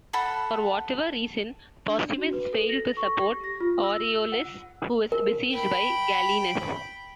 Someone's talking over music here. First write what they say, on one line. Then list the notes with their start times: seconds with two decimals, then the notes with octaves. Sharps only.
For whatever reason, Postumus failed to support Aureolus, who was besieged by Gallienus.
0.13 A4 F#5 B5
1.88 D4
2.18 F#4
2.33 B4
2.53 A4
2.69 A#6
2.97 C#6
3.21 G4
3.44 A#6
3.60 F4
3.83 E6
4.16 E6
4.32 F#5
5.12 A#4
5.52 G5 B5